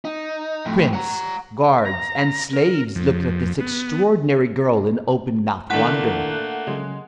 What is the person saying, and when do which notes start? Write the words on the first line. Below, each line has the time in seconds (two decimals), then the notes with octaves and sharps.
Prince, guards, and slaves looked at this extraordinary girl in open-mouthed wonder.
0.05 D#4
0.65 F2 A2
0.93 F#5 A#5
1.85 A#5
2.53 A#4
2.95 F2
3.60 B3
5.70 A#2 D#3 A3 A#3 D4 E4 F#5 F#6
6.67 C#3 F#3 G#3 C#4